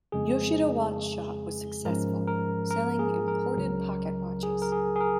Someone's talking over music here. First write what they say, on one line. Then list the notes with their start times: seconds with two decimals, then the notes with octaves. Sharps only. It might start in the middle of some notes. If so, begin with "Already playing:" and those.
Yoshida Watch Shop was successful, selling imported pocketwatches.
0.12 F2 C#3 G#3 G#4
1.84 G#2 F3 G#3 C#4 A#4
2.27 A#4
2.70 A#4
2.99 G#4
3.28 A#4
3.57 C#2 C#3 F#3
4.43 G#4
4.62 A#4
4.72 G#4
4.96 G#4
5.01 A#4